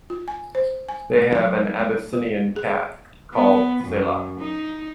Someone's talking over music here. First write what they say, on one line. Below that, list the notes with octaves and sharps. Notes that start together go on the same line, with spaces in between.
They have an Abyssinian cat called Selah.
F4
G#5
C5
G#5
A3
F#3
A3
F4
G#4
B3
F#2
D#4